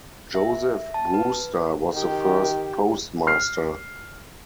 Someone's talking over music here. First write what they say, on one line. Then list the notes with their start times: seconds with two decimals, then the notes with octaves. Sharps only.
Joseph Brewster was the first postmaster.
0.35 E5
0.94 A5
1.14 B4
1.93 D#3 G4
3.27 F6 C7